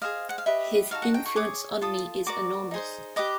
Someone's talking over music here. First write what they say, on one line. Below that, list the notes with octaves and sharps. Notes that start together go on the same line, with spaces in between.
His influence on me is enormous.
G#4 C5 D#5 F5
F#5
F5
G4 B4 D#5 E5
D#4 F#4 A4 F5
F#5
G5
C#6
G#4 C#5 D6
F4 A4 D#6
F#4 A#4 D5 D6
D#4 G#4 C5
G4 B4 D#5 D6